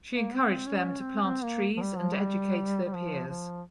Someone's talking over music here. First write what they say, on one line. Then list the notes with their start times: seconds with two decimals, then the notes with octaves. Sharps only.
She encouraged them to plant trees and educate their peers.
0.13 A#3
0.35 C4
0.66 C#4
1.00 C4
1.22 C4
1.43 A#3
1.77 F3
1.82 G3
1.98 F3
2.14 G3
2.85 G3
2.95 F3
3.28 F3